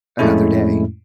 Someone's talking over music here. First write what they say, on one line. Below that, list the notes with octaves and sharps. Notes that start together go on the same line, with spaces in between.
another day
F2 A2 G#3 A3 C#4 E4